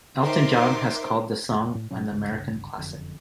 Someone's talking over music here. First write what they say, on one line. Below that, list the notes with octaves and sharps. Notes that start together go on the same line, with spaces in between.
Elton John has called the song an American classic.
D#4 A#4 C5 E5 C6 D6
F1
A2
F#1 B2 F#3 C#4
G1 C#2 G2 C#3
F#1 F2 D3